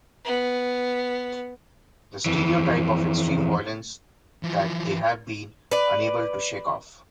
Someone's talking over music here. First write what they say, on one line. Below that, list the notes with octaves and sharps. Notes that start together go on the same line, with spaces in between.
The stereotype of extreme violence that they have been unable to shake off?
B3
F2 E3
E3 F3
B4 D5